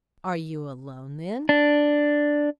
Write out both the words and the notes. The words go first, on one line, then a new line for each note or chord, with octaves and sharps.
'Are you alone, then?'
D4